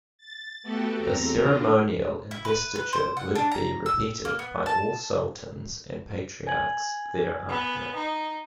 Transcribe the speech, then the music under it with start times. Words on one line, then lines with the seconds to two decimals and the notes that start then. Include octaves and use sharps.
This ceremonial investiture would be repeated by all sultans and patriarchs thereafter.
0.18 A6
0.63 A3 B3 F#4 G4 A4
0.97 E2 C4 A#5
1.38 D#3 D4 F4
2.31 E4
2.45 B4
2.76 B4
2.93 C5
3.17 F#5
3.35 D4
3.52 A#5
3.86 E6
4.25 A#3
4.39 B3
4.66 A5
6.47 G#5 G#6 F#7
7.49 B3
7.95 D#4